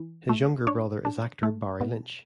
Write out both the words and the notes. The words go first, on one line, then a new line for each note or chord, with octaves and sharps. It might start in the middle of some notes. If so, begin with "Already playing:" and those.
His younger brother is actor Barry Lynch.
Already playing: E3
A3
D4 C#5
D4
A3
B2